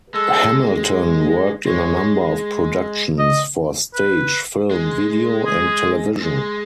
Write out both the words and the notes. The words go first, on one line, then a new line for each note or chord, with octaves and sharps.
Hamilton worked in a number of productions for stage, film, video, and television.
G#3 A4
G#3 C#5
D#5
B4
G#3
G#4
G#3